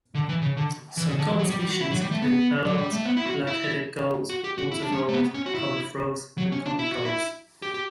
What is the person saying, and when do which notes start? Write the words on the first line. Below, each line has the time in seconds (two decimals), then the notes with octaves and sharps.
Some common species include mallards, black-headed gulls, water voles, common frogs and common gulls.
0.15 D3
0.29 E3
0.42 C#3
0.57 D3
0.97 E3
1.08 C#3
1.18 D3
1.29 E3
1.39 F#3
1.50 G3
1.60 G3
1.70 F#4
1.81 E4
1.91 F#3
2.01 G3
2.11 A3
2.22 B3
2.65 F#3
2.78 G3
2.92 A3
3.05 B3
3.17 E4
3.26 F#4
3.47 E4
4.30 F#4
4.44 G4
4.58 F#4
4.72 E4
4.82 D4
4.92 C#4
5.09 A3
5.14 B3
5.34 C#4
5.46 F#4
5.55 E4
6.38 F#3
6.52 C#4
6.66 D4
6.79 E4
6.92 F#4
7.05 E4
7.62 G4
7.74 G4